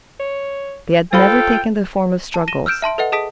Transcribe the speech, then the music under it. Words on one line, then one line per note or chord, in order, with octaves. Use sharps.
They had never taken the form of struggles.
C#5
F4 A4 C5 F5 G5 B5
A5
A#6 D#7 E7 G7
E6 F6 G6 D7 E7
E5 A5 C6 D7
A4 B4 D#5 F#5
G#4 D#5 A5 D#6 B6 D7